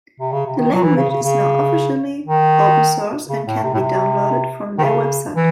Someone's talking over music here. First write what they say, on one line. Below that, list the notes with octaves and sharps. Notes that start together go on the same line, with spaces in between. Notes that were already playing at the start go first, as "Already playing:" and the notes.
The language is now officially open source and can be downloaded from their website.
C3
C#3
C3
D#3
F#3
E3
C#3
C#3
C#3
D#3
C#3
A2
C3
A2
C3
D#3
C#3
E3